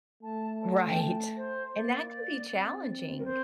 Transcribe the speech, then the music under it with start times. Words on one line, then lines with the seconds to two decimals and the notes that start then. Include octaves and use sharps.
Right, and that can be challenging.
0.23 A3 A5
0.61 A5
0.88 G5
0.99 A5
1.36 C5
1.74 A#3 D5
2.50 C4
3.19 A#4
3.24 C5